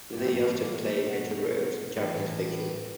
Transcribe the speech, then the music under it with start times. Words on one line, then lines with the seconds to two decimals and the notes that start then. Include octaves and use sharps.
They often play major roles in Japanese fiction.
0.12 A#3
0.17 A2 E3 A3
0.34 A3
0.39 A#3
0.62 A#3
0.84 A3
1.07 B2
1.96 A2 E3